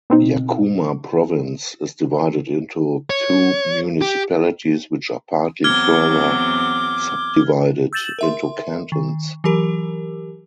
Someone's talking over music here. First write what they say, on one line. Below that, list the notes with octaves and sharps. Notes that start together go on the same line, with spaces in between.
Yacuma Province is divided into two municipalities which are partly further subdivided into cantons.
B2 C4 D#4
C#5
G4
E2 F#3 C4 D6 F6 G#6 G7
E6 G6 A6 E7 F#7
A#4 E5 C6
D#3
E3 F#3 G4 A#4